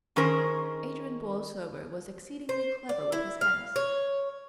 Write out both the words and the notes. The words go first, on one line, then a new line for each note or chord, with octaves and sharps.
Adrian Borlsover was exceedingly clever with his hands.
D#3 C#4 G#4 A#4 C5
C5
D5
E4
F5
C#5